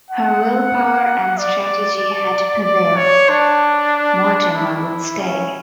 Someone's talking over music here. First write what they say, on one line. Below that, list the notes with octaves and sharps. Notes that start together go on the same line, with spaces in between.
Her will-power and strategy had prevailed; Mortimer would stay.
F#5
D5
D5
C#5
D4
E4
C#4